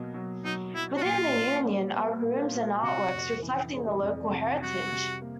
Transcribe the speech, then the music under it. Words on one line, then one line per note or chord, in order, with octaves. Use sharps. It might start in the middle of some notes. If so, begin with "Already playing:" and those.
Within the Union are rooms and artworks reflecting the local heritage.
Already playing: B2 F#3 A#3
F#3
F#3 D#4
F#3 E4
F#4
A#2 F4
A#2
G3
B3
A#2
A#2
C3 F#4
F2
E3
G#3
F2
C3
G3 F#4
C3
A#3